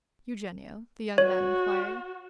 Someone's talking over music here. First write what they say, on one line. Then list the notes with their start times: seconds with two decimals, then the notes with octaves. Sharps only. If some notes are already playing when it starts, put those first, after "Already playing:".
"Eugenio?" the young man inquired.
1.18 F#4 C#5